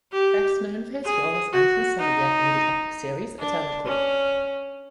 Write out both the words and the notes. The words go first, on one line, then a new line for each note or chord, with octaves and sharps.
Best known for his role as Anton Savelyev in the epic series Eternal Call.
G4
G#4
F#4
D#4
D4
C#4